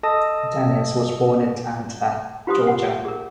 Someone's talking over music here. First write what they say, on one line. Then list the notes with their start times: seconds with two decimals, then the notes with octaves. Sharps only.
Dennis was born in Atlanta, Georgia.
0.03 A4 D#5 A5 D#6 A#6
2.47 F4 G4 B4 C5 C6 D#6
2.67 F#5
3.05 G#4 A#4